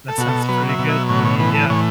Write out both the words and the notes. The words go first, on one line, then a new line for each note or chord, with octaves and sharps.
that sounds pretty good to me, yeah.
A4
B2 F#4
A4
F#3 B4
E5
B2
E5
A2 C#5
C#5
E3 B4
A4
A2 C#5